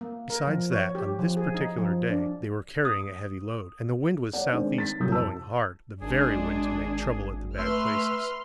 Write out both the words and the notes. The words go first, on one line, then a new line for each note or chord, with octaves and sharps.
Besides that, on this particular day they were carrying a heavy load, and the wind was southeast, blowing hard--the very wind to make trouble at the bad places.
A#3
A#4
F3
C#5
G4
F3
G#4
D#4
F3
D4
D#6
C#5 D5 F#5
D#3 G#3 C4 D4 D#4
A6 B6
C2 F#3 D#6 G6
F2 A5 E6
G#1 G#3 D4 G#4
A3 B4 E5 C6 F6